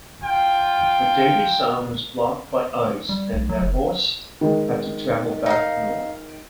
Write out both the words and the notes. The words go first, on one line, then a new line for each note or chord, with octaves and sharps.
But Davy sound was blocked by ice and Nathorst had to travel back north.
F4 G5
G3
B1
F#3
F#1
D#3 G#3
D#4 F5